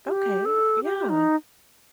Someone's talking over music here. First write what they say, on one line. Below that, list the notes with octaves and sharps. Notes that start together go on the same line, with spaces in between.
Okay, yeah.
G4
A4
G4
D#4